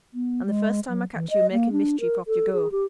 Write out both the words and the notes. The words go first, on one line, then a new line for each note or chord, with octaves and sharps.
And the first time I catch you making mischief, off you go.
B3
G#3
F#3
E3
D#5
A#3
D4
A#4
A4
G#4
G4